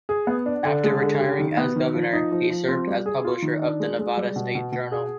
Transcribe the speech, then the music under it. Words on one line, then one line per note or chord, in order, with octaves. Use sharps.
After retiring as governor, he served as publisher of the Nevada State Journal.
G#4
B3
D4
D3
G#3
D3
G4
D#3
B3
D#3
F3
D#4
F3
F3
C4
G3
G#4
F4
D#3
D4
G#3
G#3
G3
B2
B2
B2
G#4